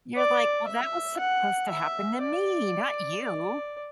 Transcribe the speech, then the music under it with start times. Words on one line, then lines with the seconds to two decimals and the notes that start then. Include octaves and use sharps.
you're like, "Well, that was supposed to happen to me, not you."
0.16 D5
0.68 E5
1.19 F#5
1.70 E5
2.22 D5
3.25 D5